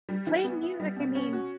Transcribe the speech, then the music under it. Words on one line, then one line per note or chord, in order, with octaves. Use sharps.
playing music, I mean,
G3
E3
B3
E4
G3
B2
C#4
F#4